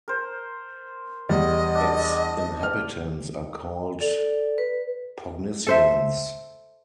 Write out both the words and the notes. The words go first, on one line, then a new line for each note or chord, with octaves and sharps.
Its inhabitants are called "Pognissiens".
A#4 C5
E2 G3 D#5
D4
F6
A4 D5
B4
A4 C5 E5